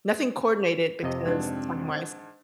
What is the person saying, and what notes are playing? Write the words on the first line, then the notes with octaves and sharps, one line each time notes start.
nothing coordinated because timewise
F2 C3 C4 D#5
G#2 D4